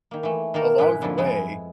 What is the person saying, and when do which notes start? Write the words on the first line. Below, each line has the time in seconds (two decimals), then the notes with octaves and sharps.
along the way,
0.11 D#3 A#3
0.23 E3 A3
0.54 D#3 A#3 A4 A#4
0.78 F#2 A2 G#3 E4 B4
1.02 F2 D3 F3 E4
1.18 F2 G#3 B3 E4